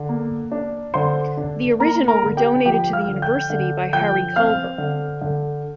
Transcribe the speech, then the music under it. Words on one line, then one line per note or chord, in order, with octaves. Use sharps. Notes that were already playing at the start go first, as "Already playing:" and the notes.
The original were donated to the university by Harry Culver.
Already playing: D3
A#3
D4
D3 C5 C6
D4
A#3 A#4 A#5
A#4 A#5
D3
G4 G5
F3 G4 G5
F5 F6
D3
G5 G6
D3
F3 G5 G6
C4 F5 F6
D3
D3